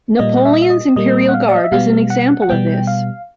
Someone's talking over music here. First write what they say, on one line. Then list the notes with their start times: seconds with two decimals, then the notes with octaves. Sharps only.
Napoleon's Imperial Guard is an example of this.
0.19 A#2 G3 A#3 D#5
0.45 E5
0.53 D#5
0.62 E5
0.70 D#5
0.96 A#2 G3 A#3 D#5
1.29 F#5
1.34 F5
1.48 D5
1.57 D#5
1.64 E5
1.72 B2 G3 B3 F5
2.10 F#5
2.42 F#5
2.49 B2 G3 B3 G5
2.87 F5